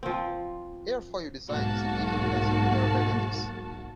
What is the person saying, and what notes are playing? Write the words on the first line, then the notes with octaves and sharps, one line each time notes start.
Airfoil design is a major facet of aerodynamics.
F3 C4
B1 G#2 A#3 F#4 A5